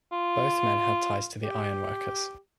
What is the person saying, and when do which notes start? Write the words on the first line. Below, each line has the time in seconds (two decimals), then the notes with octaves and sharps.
Both men had ties to the Ironworkers.
0.12 F4
1.43 G4